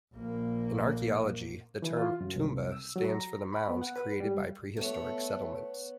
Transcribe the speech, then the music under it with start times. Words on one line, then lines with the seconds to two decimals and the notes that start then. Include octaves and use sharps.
In archaeology the term Toumba stands for the mounds created by prehistoric settlements.
0.14 A#1 A#3
1.82 E3
1.97 F4
2.21 F#2
2.36 C2
2.72 E6
2.96 F#3
3.08 A#5
3.53 B5
3.68 B3
3.82 F#5
3.96 B4
4.20 G3
4.77 A3 B3 C#5